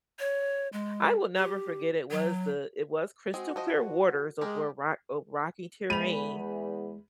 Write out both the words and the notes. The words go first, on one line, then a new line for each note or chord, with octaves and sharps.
I will never forget it was the it was crystal clear waters over rock, ov rocky terrain,
C#5
G#3
G4
F#3
G#3 C4 F#4 G#4
F3 C5 D#5
G#3 G4 G#4 A#4
E2 G#3 B5 D#7 F7